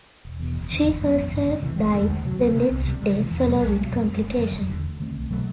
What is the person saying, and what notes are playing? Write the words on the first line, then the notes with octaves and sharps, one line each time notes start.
She herself died the next day following complications.
E1
E2 B2
F#1
E2 D3
F#1
F#2 F#3 B3
A1
G2 D3
D2
C3 E3
F#1
E2 D3 A3
D2
C3 F#3
D2
C3 G3 B3
C2
C3 G3
D2
C3 E3
E2
B2 F#3 A3
B1
B2 F#3
F#2
F#3
A3
F#1
F#2 D3 F#3
E1
E2 D3
D2
D3 A3 C4
B1
B2 F#3 A3